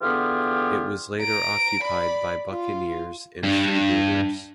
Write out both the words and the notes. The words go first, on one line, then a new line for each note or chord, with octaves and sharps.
It was later occupied by buccaneers and freebooters.
D3 E3 B3 F4 G4 G#4
A#5 D7
D5 B5
F4
G2 D4